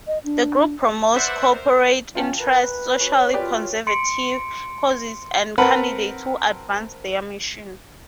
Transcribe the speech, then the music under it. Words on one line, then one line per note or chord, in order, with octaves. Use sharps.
The group promotes corporate interests, socially conservative causes and candidates who advance their mission.
D#5
D4
B4 C5 D5 E5 F#5
A#4 C5
C#4 F4 G5 A5
A#4 B4 A#5
C#4 F#4 C#5
F4 G4 B4 D5
C6 C#7 D7
C4 A#4 B4 F#5 A5 B5